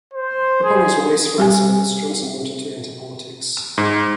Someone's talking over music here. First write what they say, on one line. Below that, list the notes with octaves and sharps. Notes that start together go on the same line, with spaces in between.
Upon his release from the service, Johnson wanted to enter politics.
C5
G#4
G3 G4 G#5
G#2